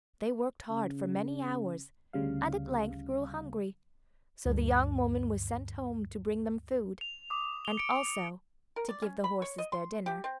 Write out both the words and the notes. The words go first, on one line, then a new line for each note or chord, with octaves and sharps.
They worked hard for many hours, and at length grew hungry, so the young woman was sent home to bring them food, and also to give the horses their dinner.
C#3
D2 C#3 G3 F5
D2 G2
F7
D6 D#6
F7 G7
C#7 D7
A#4
D5
C#4
B5
C#5
D#5
C6
G4
C4